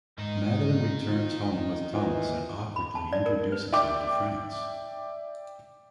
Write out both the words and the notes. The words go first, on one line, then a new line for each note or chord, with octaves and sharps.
Madeleine returns home with Thomas and awkwardly introduces him to Franz.
G#2 D#3 D#4
F4
E3 F4 A#4
B5
A5
D5
A#4
B4
D5 E5 G5 D6